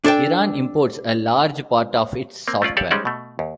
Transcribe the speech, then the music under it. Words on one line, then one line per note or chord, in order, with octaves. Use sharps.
Iran imports a large part of its software.
D4 A4 D5 G5
A#3 C4
A3 C#4 F4 D5
G4 A4 C#5 D5 F5
G3 G#3 C#4 D#4 C5 D5
B2 A3
D#2